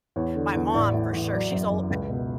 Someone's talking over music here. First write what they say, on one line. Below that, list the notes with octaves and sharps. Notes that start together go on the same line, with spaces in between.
My mom, for sure, she's ol eh
E2 C#5
D3
E2
A1 D5
A2
A1
F#3 D5
F#2
F#1
C#2
B2